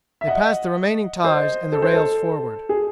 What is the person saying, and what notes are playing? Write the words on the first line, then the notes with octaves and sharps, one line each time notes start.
They passed the remaining ties and the rails forward.
E5
D#5 F#5
C5 D#5
A4
C5
A4
G#4